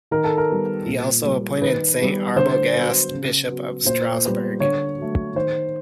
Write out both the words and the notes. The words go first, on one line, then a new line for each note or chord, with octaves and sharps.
He also appointed Saint Arbogast bishop of Strasbourg.
D#3 A#4
A4
A#4
G3 B3
A#2
G3 A#3
D#3 B4
G3 B3
D3 C5
F#3 B3
C#3
F#3 B3
A#2 C5
G3 B3
D3 C#5
F#3 A3
D#3 C5